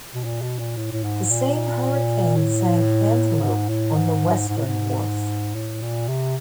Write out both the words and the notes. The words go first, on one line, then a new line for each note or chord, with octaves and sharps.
The same hurricane sank "Antelope" on the western wharf.
B2
A#2
B2
A#2
A2
A2
G#2
A#2
A2
G#2
A2
G#2
G#2
A2
G#2
A2
A#2
C3